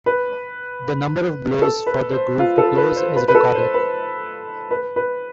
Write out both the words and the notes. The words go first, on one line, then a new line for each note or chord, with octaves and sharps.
The number of blows for the groove to close is recorded.
B4
A4
B4
C5
F4
A4
B4
C5
B4
B4
A4
C5
B4
B4
B4